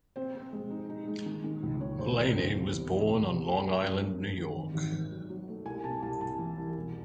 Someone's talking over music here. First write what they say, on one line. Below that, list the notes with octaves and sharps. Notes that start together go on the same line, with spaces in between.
Mullaney was born on Long Island, New York.
C4 C5
C4
G#3
D#4
D#4
G#3
D#3
D#3
C#2
D#3 C#5
C#2 C5
C#2 A4
F#1 C5
C3
E2
E2
C3
C3
A3
F#2
F#2
F#2
F#2
D#3
G#1
G#1
G#1
F#3
F#3
A3
C2 G#5
C3 A5
C2 A5
C2 A5
E3
C2
E1